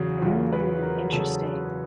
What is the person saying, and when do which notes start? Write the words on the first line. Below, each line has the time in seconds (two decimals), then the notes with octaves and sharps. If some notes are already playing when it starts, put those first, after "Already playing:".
Mm, interesting.
Already playing: E2 C#3 F#3 F#4
0.22 E2 C#3 F#3 F4
0.52 B4
0.82 A#4
1.12 E2 C#3 F#3 A4
1.43 G#4